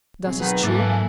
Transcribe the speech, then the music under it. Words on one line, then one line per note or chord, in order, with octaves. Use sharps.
"That is true."
B1 F#3 C4 G#4
D#3 G#4 B4 F#5
G#2 E3 F#3 A#3 A4 D6 F#6 A6
F5 G#5